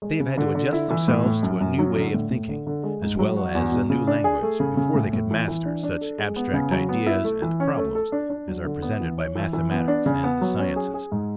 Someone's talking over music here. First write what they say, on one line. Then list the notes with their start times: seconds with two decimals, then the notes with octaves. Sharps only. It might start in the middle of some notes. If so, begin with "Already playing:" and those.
They have had to adjust themselves to a new way of thinking, as well as a new language, before they could master such abstract ideas and problems as are presented by mathematics and the sciences.
0.02 G#3
0.20 C#3
0.37 D3
0.55 D3
0.73 E4
0.90 E3
1.08 A2
1.25 A2
1.43 F#2
1.61 F#2
1.78 F#3
1.96 D3
2.14 A2
2.31 A2
2.49 D3
2.67 D3
2.83 G#3
3.02 G#2
3.19 F#3
3.37 F#4
3.55 E2
3.72 B2
3.90 C#3
4.07 D4
4.24 G#4
4.42 A3
4.60 C#3
4.77 C#3
4.95 A2
5.13 A2
5.31 E3
5.48 E3
5.65 D4
5.83 D4
6.01 A4
6.18 G#3
6.36 B3
6.53 C#3
6.71 F#3
6.89 B3
7.07 E4
7.24 A3
7.42 E3
7.60 C#4
7.77 A3
7.95 A4
8.12 D4
8.30 D4
8.48 F#3
8.65 D3
8.82 B3
9.00 E3
9.18 C#5
9.35 E3
9.53 E3
9.71 B3
9.88 D4
10.06 C#3
10.24 B3
10.41 F#3
10.59 C#4
10.76 G#4
10.94 G#4
11.12 G#2